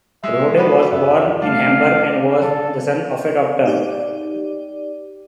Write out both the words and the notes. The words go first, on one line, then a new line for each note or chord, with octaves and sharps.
Rohde was born in Hamburg and was the son of a doctor.
G#3 E5
B3 F#4 G4 B4
F#2 E5
D3 G3 A3 D4 F5
D3 F#3 A4
D#4 G4 D5